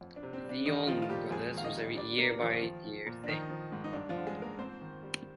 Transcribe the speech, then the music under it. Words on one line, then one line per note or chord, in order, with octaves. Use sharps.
The Allman Brothers was a year-by-year thing.
F2
D4
C3
C4
G3 D4
D#3 G3 D#4
F3 G3 F4
F4
A#2 G3 G4
F2 G#3 G#4
D#3 F5
D#4 D#5
G3
G3 D4 D5
C3 A#3 A#4
D#3 F3 F4
F3 F4
F3
A#2
D4
D#3 F3 D#4
F3
G#2
D#4
G2 D4
F3 F4
D3
G#3 G#4
F3
A#3 A#4
G#2 C4 C5
D#3
G3